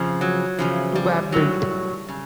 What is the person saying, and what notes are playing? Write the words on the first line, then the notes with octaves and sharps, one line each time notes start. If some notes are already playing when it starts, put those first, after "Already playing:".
Two were built.
Already playing: F2 C#3 F3
F#3
E2 C#3 F3
G3
A2 F#3
C#3